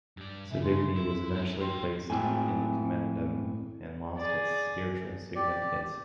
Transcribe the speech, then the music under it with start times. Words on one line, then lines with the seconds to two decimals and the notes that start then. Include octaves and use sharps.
Savigny was eventually placed "in commendam" and lost its spiritual significance.
0.17 G2 D5
0.51 C#3 E5
0.63 C6
0.96 E4
1.31 G#3 E4
1.61 C#5 G5 C6
2.10 A2 G#3 C4 G#5
4.18 G#4 D5
5.35 G4 D5